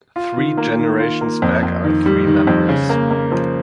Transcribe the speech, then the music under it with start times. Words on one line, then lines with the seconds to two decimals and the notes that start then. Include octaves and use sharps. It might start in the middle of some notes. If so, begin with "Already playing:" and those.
Three generations back are three members.
0.16 F4
0.37 D#3
0.57 A#3
0.79 D#3
1.00 F4
1.21 A#3
1.42 F2
1.63 F2
1.84 D#3
2.06 G3
2.27 D#3
2.47 F2
2.69 C#3
2.89 A#3
3.11 A#3
3.32 F3